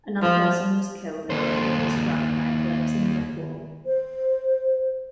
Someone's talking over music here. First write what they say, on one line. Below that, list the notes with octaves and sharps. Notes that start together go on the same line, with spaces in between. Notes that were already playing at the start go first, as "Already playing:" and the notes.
Another person was killed after being struck by a collapsing brick wall.
F3
D#2 C5
C5